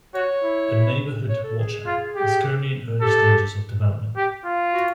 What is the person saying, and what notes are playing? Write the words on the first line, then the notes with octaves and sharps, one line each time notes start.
A neighbourhood watch app is currently in early stages of development.
F#4 C#5
E4
C#5
A4
G#4
G#4
F4
G4
G4 A4
G4
F4
F#4